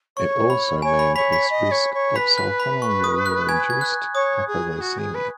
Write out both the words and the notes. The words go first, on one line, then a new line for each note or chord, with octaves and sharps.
It also may increase risk of sulfonylurea-induced hypoglycemia.
C#5 C#6
B5
C#5 G#5
B5
C#5 B5 B6
B5 B6
D#5
C#5
C#5
B4 B5 B6
F#6
B5
C#6
D#6
F#6
G#5 G#6
G#6
F#6
C#5 D#6
G#4
F#4
G#4
B4